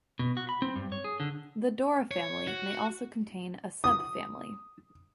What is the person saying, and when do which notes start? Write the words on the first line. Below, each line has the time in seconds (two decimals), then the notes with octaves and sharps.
The Dora family may also contain a subfamily.
0.19 B2
0.37 F#4
0.49 B5
0.62 C4
0.76 G2
0.92 C#5
1.04 G#4
1.20 D3
2.11 C#5
2.48 F#4
3.84 D#6